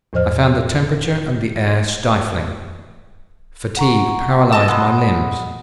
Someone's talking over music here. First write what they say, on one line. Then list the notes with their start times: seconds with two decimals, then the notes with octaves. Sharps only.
I found the temperature and the air stifling. Fatigue paralysed my limbs.
0.13 E2 A2 F3 C5 D#5 F6
3.77 F#5 A#5 C#6
4.52 D#5 A5 E6
4.68 G#3 F#5 B5 D#6